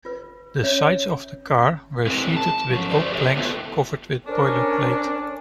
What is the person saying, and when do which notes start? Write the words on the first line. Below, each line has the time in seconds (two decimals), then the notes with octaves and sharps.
The sides of the car were sheathed with oak planks covered with boiler plate.
0.05 F4 B4
0.63 C#4 C#5 E5
2.07 C4 E4 G#4 A#4
2.37 A5
2.70 F3 C#4
2.90 A4 C5 D5
3.12 G4 A4 C#5 E5
3.37 A3 B3 E4 F4 G4 A4
4.27 C#4 D4 A4 A#4 C5 D5